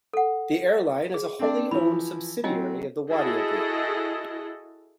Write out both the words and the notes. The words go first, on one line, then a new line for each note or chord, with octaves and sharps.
The airline is a wholly owned subsidiary of the Wadia Group.
A4 F#5
G#4
C4 D4 D5
E3 F3 E4 B5
F#3 C4 F4 D#5 G#5
E4 F#4 G#4 A4 D#5